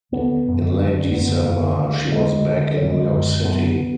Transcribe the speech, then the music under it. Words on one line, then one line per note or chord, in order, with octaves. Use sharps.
In late December, she was back in New York City.
D#2 D3 B3
F#2 D3
F#2 D3 D4
F#2 D3 B3
F#2 D3 A#3
D2 D3
D2 D3 G#3
D2 D3
D2 D3 F#3
G#3
G#3
F#2 D3
F#2 D3 B3
D3